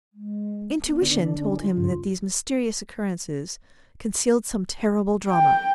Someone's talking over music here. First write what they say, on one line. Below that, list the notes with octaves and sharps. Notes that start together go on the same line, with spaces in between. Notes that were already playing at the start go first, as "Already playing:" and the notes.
Intuition told him that these mysterious occurrences concealed some terrible drama.
G#3
B3
D3 D4
C#4
F4
G2 C#3
G5